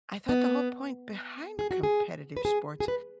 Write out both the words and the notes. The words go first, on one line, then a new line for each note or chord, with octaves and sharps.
I thought the whole point behind competitive sports
B3
G#4
F#4
G#4
B4
G#4
G#4
B4